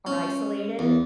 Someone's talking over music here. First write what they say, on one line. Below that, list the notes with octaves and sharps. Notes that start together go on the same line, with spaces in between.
are isolated
C#4
E2